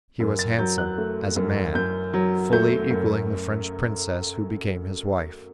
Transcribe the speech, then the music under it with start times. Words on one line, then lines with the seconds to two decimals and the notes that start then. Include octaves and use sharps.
He was handsome, as a man, fully equaling the French princess who became his wife.
0.20 F#2
0.39 A6
0.59 F#3 G6
0.78 F#6
0.98 A3
1.36 F#2
1.75 F#2 G6
2.14 F#3
2.52 A3 G6
2.91 F#2